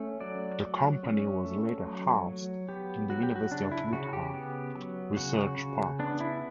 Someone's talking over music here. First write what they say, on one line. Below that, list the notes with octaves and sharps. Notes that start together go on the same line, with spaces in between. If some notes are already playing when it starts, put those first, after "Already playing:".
The company was later housed in the University of Utah Research Park.
Already playing: A3 C#4
F#3 D5
F#3
C#4
A3
F#3
F#3
B3 G4
F#3 F#4
G4
F#4
C#3 D4
E4
C#3 F#4
G4
B3
F#3
C#3 F#4
C#3
B3 D4
E4